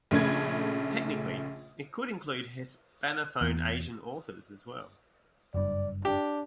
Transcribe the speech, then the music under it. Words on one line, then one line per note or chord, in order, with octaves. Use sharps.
Technically, it could include hispanophone Asian authors as well.
A#1 C#3 A3 B5 G#6
E2
F#1 G2 D5
D4 G4